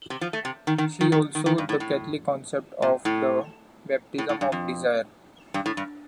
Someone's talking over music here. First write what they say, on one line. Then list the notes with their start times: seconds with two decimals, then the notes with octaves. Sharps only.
See also the Catholic concept of the "Baptism of Desire".
0.10 C3
0.21 F3
0.33 A3
0.45 C3
0.67 D#3
0.78 D#3
1.01 D#3
1.12 D#3
1.35 D#3
1.46 D#3
1.58 G2
1.69 A2
1.80 A2
2.82 A#2
3.05 A2
4.18 A2
4.29 A2
4.41 G2
4.52 F2
5.54 G2
5.66 A2
5.77 G2